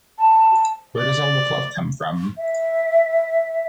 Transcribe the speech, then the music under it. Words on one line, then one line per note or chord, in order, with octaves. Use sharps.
Where does all the fluff come from?
A5
D5
E5